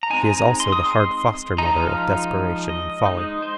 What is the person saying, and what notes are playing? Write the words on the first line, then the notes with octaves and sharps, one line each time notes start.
She is also the hard foster-mother of desperation and folly.
A#5
G#3 C4 D#4 G#5
A#5
C6
D#6
C6
F3 G#3 D#4 A#5
F5
D#5
G#3 D#4
C5